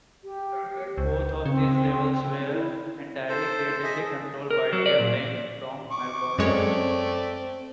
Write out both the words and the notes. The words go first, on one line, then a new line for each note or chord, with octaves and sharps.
Both of these labels were entirely creatively controlled by Dave Laing, from Melbourne.
G4
C#2 C5
C#3 C4
E4
A4 C5
G#4 D#5 E5
A#4
F#3
D5
A#2
C#6 D6
F#2 G#3 A3 C4 C#5 D5